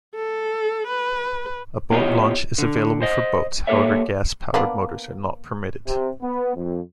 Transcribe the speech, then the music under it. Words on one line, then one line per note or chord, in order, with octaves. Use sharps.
A boat launch is available for boats, however gas-powered motors are not permitted.
A4
B4
B3 E4 F4 G4 C#5 D#5
D3
C5 D#5
A#3 G4 A4 C#5 E5
A#3 B3 D4
C3
B3
F2